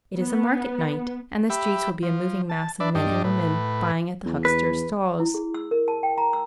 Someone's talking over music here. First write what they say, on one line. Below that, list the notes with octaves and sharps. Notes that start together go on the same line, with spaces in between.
It is a market night, and the streets will be a moving mass of men and women buying at the hucksters' stalls.
B3
G4 E5 B5
F3
A5
D4 B4 D5 E5
G2 D4 G4 D#5
A2 B4
E2
B4
E4
G#4
E6
A#4
A5
G5
A#5
E6